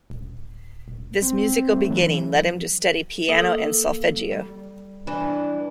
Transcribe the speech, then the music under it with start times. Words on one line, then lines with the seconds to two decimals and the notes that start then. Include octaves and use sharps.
This musical beginning led him to study piano and solfeggio.
0.10 D#1
0.88 D#1
1.22 C4
1.70 A3
1.91 E3 F#3
3.28 A#3 A4 A#4 D#6
4.32 G3
5.07 E3 D4 E7